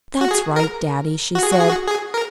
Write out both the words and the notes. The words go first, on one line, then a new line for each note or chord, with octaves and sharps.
"That's right, daddy," she said.
F#4
G#4
A#4
F#4
G#4
F#4
G#4
F#4
G#4
A#4